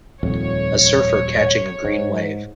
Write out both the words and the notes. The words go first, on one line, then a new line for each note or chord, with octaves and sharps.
A surfer catching a green wave.
D#1 F2 C#5
G#2